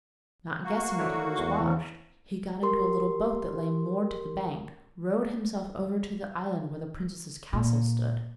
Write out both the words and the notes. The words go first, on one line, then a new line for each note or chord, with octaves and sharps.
Not guessing that he was watched, he got into a little boat that lay moored to the bank, rowed himself over to the island where the princess's castle stood.
A#3 F#4
A3 D4 E4 C#5
E2
G#2 C#3 E3
G4 A#4 C6
A#2